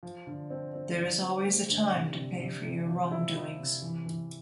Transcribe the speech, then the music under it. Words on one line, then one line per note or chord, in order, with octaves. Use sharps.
There is always a time to pay for your wrongdoings.
F3
D3
C4
C4
F3
C4
A3
D3
C3
C3
C3
C3
F3
E4
E4
C3
E3
E3